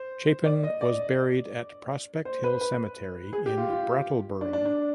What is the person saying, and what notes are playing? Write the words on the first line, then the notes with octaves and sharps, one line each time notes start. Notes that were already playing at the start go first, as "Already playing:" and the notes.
Chapin was buried at Prospect Hill Cemetery in Brattleboro.
Already playing: C5
D5
D#5
D5
C5
B4
B4
G#4
G4
F4
F4
D4
D4
D4